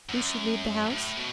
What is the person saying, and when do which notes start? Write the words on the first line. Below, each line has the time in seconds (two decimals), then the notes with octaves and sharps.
Who should lead the House?
0.09 F#2
0.91 A2
1.17 B2